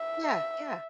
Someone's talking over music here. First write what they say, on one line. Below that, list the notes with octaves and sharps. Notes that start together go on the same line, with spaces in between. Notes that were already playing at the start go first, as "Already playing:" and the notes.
Yeah, yeah.
Already playing: E5